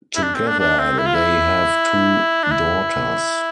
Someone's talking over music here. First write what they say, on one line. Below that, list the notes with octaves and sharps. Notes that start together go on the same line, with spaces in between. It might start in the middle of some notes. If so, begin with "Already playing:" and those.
Together they have two daughters.
E4
D4
C4
D4
D4
C4
E4
F4
E4
D4
E4